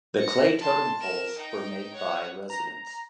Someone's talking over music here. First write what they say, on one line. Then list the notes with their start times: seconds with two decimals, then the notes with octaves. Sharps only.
The clay totem poles were made by residents.
0.16 A#6 C#7
0.60 A5 C6
1.00 A#4 E7
1.38 D#4 G5
1.93 C#5 F#5
2.50 A#5